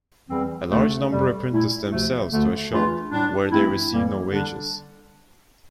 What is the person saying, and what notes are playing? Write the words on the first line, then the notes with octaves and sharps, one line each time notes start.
A large number apprentice themselves to a shop, where they receive no wages.
E2 E3 G3 C4
D2 D3 A3 D4
F2 C3 G3
A#2 A3 E4
D2 C3 F3 A3
D2 D3 A3
E2 E3 A3 D4 F4
A2 G3 D4
G2 E3 A3 C4 E4
F2 E3 G3 A#3
D3 G3 D4